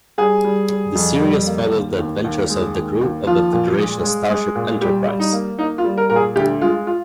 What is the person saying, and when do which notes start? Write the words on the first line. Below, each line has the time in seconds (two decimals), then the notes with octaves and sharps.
The series follows the adventures of the crew of the Federation starship "Enterprise".
0.18 G3 G#4
0.44 G3
0.69 G3
0.95 F2
1.21 G3
1.47 A#3
1.73 D#2
1.98 D#2
2.24 D#2
2.50 G#3
2.75 D#2
3.01 D#2
3.27 F3 F4
3.53 A#2
3.78 G#3
4.04 G#3
4.30 G#3
4.55 A#2
4.81 G3 G4
5.07 G3
5.20 D#4
5.32 A#3
5.59 A#3 D#4
5.78 F4
5.84 G3
5.98 A#4
6.10 A#2 A#4
6.16 G#4
6.36 D2 G4
6.61 G#3 F4
6.87 F4